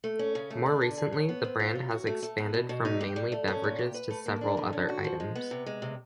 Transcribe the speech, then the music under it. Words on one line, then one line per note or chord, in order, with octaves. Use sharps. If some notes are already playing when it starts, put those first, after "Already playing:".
More recently, the brand has expanded from mainly beverages to several other items.
A3
C#4
C#3
A3
D4
D3
G#4
C#5
B3
C4
F4
F#3
F#4
A3
A3
B3
B2
B2
D#4
G4
G3
A3
C#4
A#2
G4
B4
A3
A#3
D4
D3
C#4
F#4
F3
G#3
B3
C3
G#3
C3